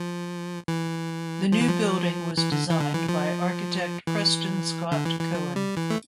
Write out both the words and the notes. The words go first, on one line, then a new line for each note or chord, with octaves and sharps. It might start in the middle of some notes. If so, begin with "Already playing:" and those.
The new building was designed by architect Preston Scott Cohen.
Already playing: F3
E3
F3
E3
F3
E3
D3
E3
D3
E3
F3
E3
D3
E3
E3
F3
G3
E3
A3